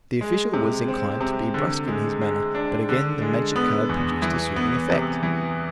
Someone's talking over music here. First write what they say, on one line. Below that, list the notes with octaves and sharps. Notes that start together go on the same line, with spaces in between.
The official was inclined to be brusque in his manner, but again the magic card produced a soothing effect.
G#3
C3
C4
C3
D3
G#3
G#3
D4
D3
G#3
B3
E2
E3
B3
C3
E3